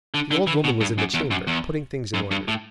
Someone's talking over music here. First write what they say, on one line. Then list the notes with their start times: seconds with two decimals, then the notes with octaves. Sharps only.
The old woman was in the chamber, putting things in order.
0.14 D3
0.31 D3
0.47 E3
0.64 B2
0.81 G2
0.98 F#2
1.14 E2
1.31 F#2
1.47 E2
2.14 F#2
2.31 G2
2.48 A2